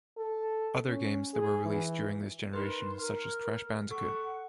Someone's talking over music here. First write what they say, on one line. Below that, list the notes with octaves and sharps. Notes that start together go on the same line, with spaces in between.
Other games that were released during this generation such as Crash Bandicoot.
A4
C#4
G#4
E3
D#4 A#4 B4 C6
A#4 F6
A4 F#5 C#6